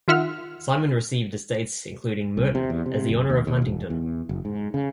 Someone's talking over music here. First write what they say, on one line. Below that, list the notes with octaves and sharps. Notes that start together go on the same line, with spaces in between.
Simon received estates including Merton as the honour of Huntingdon.
D#3 F4 E5 F#5 F6
C2
C3
E2
C3
F#1
D#2
D#2
E1
E2
F#1
G#2
C#3